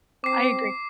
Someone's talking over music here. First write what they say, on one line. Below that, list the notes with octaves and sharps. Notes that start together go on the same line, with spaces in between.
I agree.
C4 D6 C7